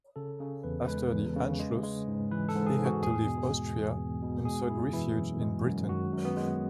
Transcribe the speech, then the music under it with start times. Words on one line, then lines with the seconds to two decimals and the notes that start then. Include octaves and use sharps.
After the "Anschluss" he had to leave Austria and sought refuge in Britain.
0.16 C#3 A4
0.40 C#3
0.64 E2 B4
0.88 G#3 B4
1.12 E2
1.36 C#3
1.59 G#3
1.83 G#3
2.08 G#2
2.31 E3 B4
2.48 A4
2.55 G#2
2.66 G#4
2.78 G#2
2.85 F#4
3.03 E2 G#4
3.26 B2
3.50 G#3
3.74 E2
3.98 E2
4.23 B2
4.45 G#3 G#4
4.70 F#2 E4
4.93 E3 E4
5.17 F#2
5.41 G#3
5.66 F#2
5.89 D#3 F#4
6.13 F#2
6.25 B3
6.37 G#3